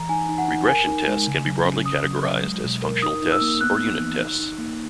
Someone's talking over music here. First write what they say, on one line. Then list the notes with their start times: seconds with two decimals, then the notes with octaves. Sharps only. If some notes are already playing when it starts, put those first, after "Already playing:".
Regression tests can be broadly categorized as functional tests or unit tests.
Already playing: E3 A#5
0.09 D#4 G#5
0.29 D#4
0.38 F#5
0.48 D#4
0.68 A#4 G#5
0.87 D#4
1.07 G#3
1.27 C#3
1.47 F#3
1.66 C#4
1.85 C#3 D#6
2.04 F#3
2.24 F#3
2.44 G#3
2.63 B2
2.82 A#4
3.02 D#4 D#6
3.22 D#4
3.32 E6
3.41 A#3
3.61 B3 F#6
3.80 D#4
4.00 E3
4.20 D#4
4.39 D#4
4.58 A#3